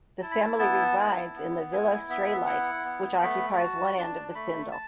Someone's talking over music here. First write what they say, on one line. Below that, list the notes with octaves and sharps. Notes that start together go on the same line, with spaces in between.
The family resides in the Villa Straylight, which occupies one end of the spindle.
E4 A5
B5
A5
B3 A5
E4
B3
E4 G#5
B3 E5
E4 F#5
B3
A3 B5
F#4 A5
D4 A5
A3 B5
A5